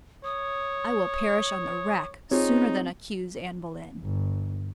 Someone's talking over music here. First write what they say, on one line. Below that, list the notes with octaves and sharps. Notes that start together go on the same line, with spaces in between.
I will perish on the rack sooner than accuse Anne Boleyn.
C#5 D#6
C4 D#4 F4 G#4 C#5
G1